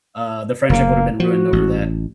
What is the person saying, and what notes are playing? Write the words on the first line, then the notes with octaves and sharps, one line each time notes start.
uh, the friendship would have been ruined over that.
F#1 C#3 A#3
F3 F#4
A1